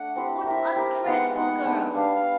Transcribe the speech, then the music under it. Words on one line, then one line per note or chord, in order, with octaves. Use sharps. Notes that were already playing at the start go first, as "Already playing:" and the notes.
"What a dreadful girl!"
Already playing: A3 D4 F#5
C4 E4 G4 C5
E4 G4 A#4 E5
E4 G4 A#4
G#3 B3 D#4 F#5
G5
G#3 B3 D#4 F#5
G3 B3 D4
G3 B3 D4 F5